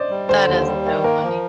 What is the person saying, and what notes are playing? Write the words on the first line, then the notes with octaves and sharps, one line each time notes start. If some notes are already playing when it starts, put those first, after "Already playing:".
That is so funny.
Already playing: C5 D5 D#5
G3
D3 C5
D#2
G3
D#3
A#3 A#4
F3